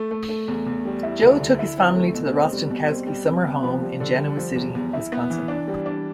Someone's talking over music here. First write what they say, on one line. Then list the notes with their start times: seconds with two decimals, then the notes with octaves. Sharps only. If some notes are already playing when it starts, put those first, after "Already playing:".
Joe took his family to the Rostenkowski summer home in Genoa City, Wisconsin.
Already playing: A3
0.11 A3
0.29 A3
0.48 E2
0.66 E2
0.85 G3
1.03 E4
1.22 D2
1.40 D3
1.59 E4
1.77 C4
1.95 A3
2.14 B2
2.33 C4
2.52 G3
2.70 B2
2.89 C4
3.07 G3
3.26 C3
3.45 B3
3.63 F3
3.82 G3
4.00 D3
4.18 G3
4.37 F3
4.56 E2
4.75 E2
4.93 E4
5.12 B3
5.30 E3
5.48 D4
5.68 G3
5.86 D4